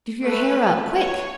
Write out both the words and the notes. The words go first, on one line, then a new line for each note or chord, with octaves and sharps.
"Do your hair up--quick!"
A3 B4
C#5